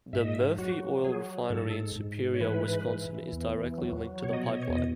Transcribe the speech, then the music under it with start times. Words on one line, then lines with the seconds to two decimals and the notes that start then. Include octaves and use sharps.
The Murphy Oil refinery in Superior, Wisconsin, is directly linked to the pipeline.
0.13 G#2 E5
0.24 D#5
0.34 E5
0.58 F#3 F#4
1.04 F#3 G#4
1.50 G#2 A4
1.96 G#2
2.34 C#5
2.40 E3 B4
2.87 E3
3.32 E2
3.78 F#3
4.24 B2 C#5
4.33 D#5
4.43 C#5
4.53 D#5
4.63 C#5
4.69 E2 D#5